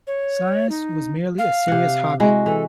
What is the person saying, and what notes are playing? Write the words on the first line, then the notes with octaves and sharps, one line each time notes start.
Science was merely a serious hobby.
C#5
D#4
F5
C3 F#5
G#3 E4 F#4
E3 A4